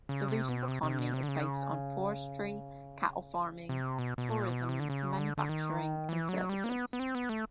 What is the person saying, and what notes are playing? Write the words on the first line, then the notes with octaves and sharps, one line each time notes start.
The region's economy is based on forestry, cattle farming, tourism, manufacturing, and services.
C#3
C3
B2
C3
C3
B2
C3
D3
C#3
C3
B2
B2
A#2
B2
C3
D3
C#3
D3
D3
D#3
E3
F#3
G3
A#3
B3
B3
C4
B3
A3